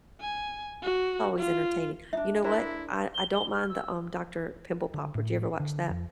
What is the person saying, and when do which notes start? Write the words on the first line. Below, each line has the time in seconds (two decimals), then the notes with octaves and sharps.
always entertaining. You know what? I I don't mind the, um, Dr. Pimple Popper, do you ever watch that?
0.21 G#5
0.82 F#4
1.38 F4
2.13 D4 D#4 E5
2.44 D4 E4 A#4 C5
3.14 G7
3.34 G7
3.52 F6
3.70 E6
4.94 D3
5.15 A2
5.60 D3
5.90 F2